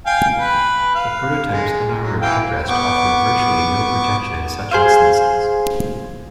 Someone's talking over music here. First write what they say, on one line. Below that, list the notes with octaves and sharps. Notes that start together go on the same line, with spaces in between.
The prototype's unarmored headrest offered virtually no protection in such instances.
F5 G5 G#5
B4
F5
G#3
F#3
E3 F5 G5
B3 C#6 D6
G#4 C5 F5